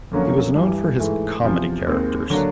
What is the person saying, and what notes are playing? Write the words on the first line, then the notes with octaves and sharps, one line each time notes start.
He was known for his comedy characters.
F2 D3 F#3 A#3 C#4
G2 E3 G3
G#2 E3 A3
E2 C3 F3
D#2 D#3 G#3 C4
D3 F#3 A#3 D4